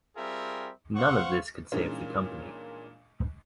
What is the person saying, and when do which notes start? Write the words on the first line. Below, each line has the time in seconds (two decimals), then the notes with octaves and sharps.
None of this could save the company.
0.16 G3 C4 F4 G#4 A#4 E5
0.96 C5 F5 F#5 C#6
1.72 G2 A#2 E3 G#3 C#4 D#4